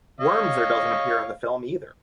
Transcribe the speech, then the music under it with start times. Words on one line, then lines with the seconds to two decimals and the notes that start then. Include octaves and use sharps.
Wormser doesn't appear in the film either.
0.20 C#5 D#5 F5